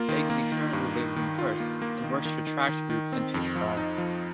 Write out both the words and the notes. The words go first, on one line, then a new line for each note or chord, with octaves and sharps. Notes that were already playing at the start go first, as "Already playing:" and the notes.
Begley currently lives in Perth, and works for Tract Group and PickStar.
Already playing: A#3 F4
D#3
A#3
D#3
G2
D#3
D#3
F4
A#3
A#3
D#3
D#3
D#3
D#3
D#3
C4
F2
F3
D#4
F3